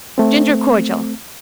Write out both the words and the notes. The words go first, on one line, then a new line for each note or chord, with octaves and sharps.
Ginger cordial.
A3 C4